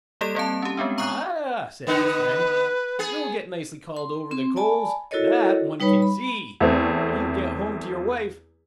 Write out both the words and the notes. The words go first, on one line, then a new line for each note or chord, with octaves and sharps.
'Ah!' said his friend, 'you'll get nicely called over the coals, that one can see, when you get home to your wife.
G3 A#3 G4 A4 D5 E7
G3 A#3 C4 A5
C#4 G4
G#3 B3 C4 D4
A#5 C#6 D#6 F#6 C7
D3 B3 D#4 B4
B3 G#4
C6
C4 C6
D5 G#5 A5 B5
E4 F#4 A4 A#4 C#5 D#5
G3 D#4 B4 C#5 B5
B5
E2 A3 C4